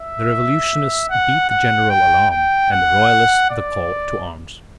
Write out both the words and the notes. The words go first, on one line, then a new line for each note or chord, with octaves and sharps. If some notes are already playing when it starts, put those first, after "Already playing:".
The revolutionists beat the general alarm, and the royalists the call to arms.
Already playing: E5
F#5
F#5
G5
G5
F#5
D5